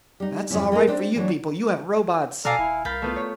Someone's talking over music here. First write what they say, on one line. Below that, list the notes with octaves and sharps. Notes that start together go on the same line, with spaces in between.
"That's all right for you people, you have robots...."
G3 D#4
F2 G#2 C#3 G3 C#4 E4
G#3 A#3 E4 A#4
C4 D4 D#4 C5
E3 F#3 D4
B2 A4 D5 F5 G#5 A#5 F6
D#1 E4
C2 A#4 F5 B5 G6 A6
A3 B3 F4
C#5